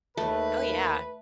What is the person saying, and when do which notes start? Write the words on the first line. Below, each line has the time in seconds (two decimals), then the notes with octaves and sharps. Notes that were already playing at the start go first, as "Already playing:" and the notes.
Oh, yeah.
0.17 D#2 A3 B4